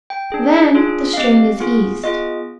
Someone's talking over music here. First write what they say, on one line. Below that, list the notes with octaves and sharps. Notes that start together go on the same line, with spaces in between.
Then the strain is eased.
G5
D4 G#4
D4 F4 G#4
F5
C4 G4 D#5
B3 F4 G#4
B3 F4 G#4 D#5